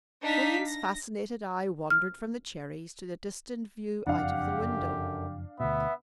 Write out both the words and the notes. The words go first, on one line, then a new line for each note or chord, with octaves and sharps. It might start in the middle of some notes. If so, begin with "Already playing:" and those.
William's fascinated eye wandered from the cherries to the distant view out of the window.
D4 D#4 F5 B6
A#6
F6
F#1 F2 D4 G4 F5 F#5
F#2 D3
D2 B2 B3 E5